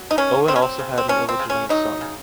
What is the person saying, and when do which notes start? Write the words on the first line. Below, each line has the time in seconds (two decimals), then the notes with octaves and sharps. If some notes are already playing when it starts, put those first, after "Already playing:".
Owen also had an illegitimate son.
Already playing: F#3
0.11 D#4
0.17 D#3 C#4
0.48 F#3 C4
0.56 C#4
0.62 C4
0.79 C#3
0.98 C4
1.08 F3 C#4
1.29 C4
1.39 C#3
1.50 C#4
1.69 F#3 D#4
2.01 C#3